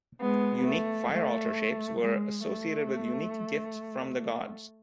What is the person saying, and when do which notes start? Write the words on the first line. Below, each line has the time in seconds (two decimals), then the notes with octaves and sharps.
Unique fire-altar shapes were associated with unique gifts from the Gods.
0.21 G#3 B3
0.66 A3
1.11 A3
2.00 G#3
2.45 A3